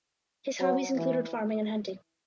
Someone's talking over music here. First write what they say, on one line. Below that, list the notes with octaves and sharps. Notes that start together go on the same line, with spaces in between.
His hobbies included farming and hunting.
F#3
E3